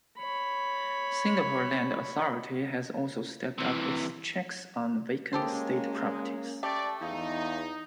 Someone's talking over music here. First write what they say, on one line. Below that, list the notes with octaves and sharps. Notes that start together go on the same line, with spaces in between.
Singapore Land Authority has also stepped up its checks on vacant state properties.
C#5 B5
C3 E3
G#3 A#3 C#4 G4 A4 C5
A3 G4 D5 A5
E2 D#4 F5